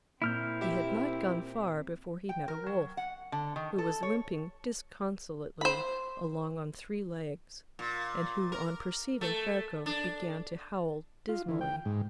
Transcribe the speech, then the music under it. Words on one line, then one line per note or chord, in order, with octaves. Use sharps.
He had not gone far before he met a wolf, who was limping disconsolately along on three legs, and who on perceiving Ferko began to howl dismally.
A#2 C4 E4 F6 G6
G4 E5
G5
A#4
F#3
F#5
D3
D#3
A4
C#5
C5 B5
A#2
A#4
A3
D4
F4
E3
G5
G#2